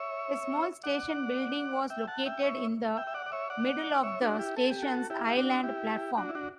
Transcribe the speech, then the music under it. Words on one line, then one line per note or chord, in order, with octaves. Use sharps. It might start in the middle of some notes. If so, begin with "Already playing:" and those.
A small station building was located in the middle of the station's island platform.
Already playing: C#5 E5
D5 F#5
E5 G5
F#5 A5
E5 G5
C#5 E5
E5 G5
E5
D5 F#5
D5
C#5 E5
D5 F#5
C#5 E5
D4 F#4
E4 G4
A4
G4
F#4 A4
E4 G4
G4
D4 F#4
E4 G4
D4 F#4
E4
D4 F#4